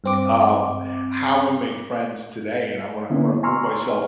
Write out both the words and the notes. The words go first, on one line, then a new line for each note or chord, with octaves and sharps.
um, how we make friends today and I'm gonna I'm gonna move myself
G2 C4 D6
D3 A#3 B3 C#4 D4 E4
G#5 A#5 C6 C#6 E6 F6